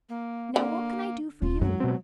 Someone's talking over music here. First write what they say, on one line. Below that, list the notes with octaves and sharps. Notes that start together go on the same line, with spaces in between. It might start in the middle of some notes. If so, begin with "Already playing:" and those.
"Now what can I do for you?"
A#3
D3 A#3
D#1 F4
F#2 F#3 G#3
B2 C4